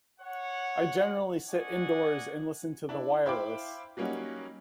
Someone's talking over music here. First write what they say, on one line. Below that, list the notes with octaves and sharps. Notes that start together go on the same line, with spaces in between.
I generally sit indoors and listen to the wireless.
C#5 F#5
D4 D#5 F#5 G#5 C#6
D4 E4
E4 C5 F5 G5 B5 D6
F#3 G3 A#3 C#4 D#4 F#4